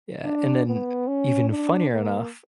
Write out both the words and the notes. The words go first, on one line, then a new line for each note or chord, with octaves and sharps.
Yeah, and then even funnier enough,
D4
B3
C#4
D4
A#3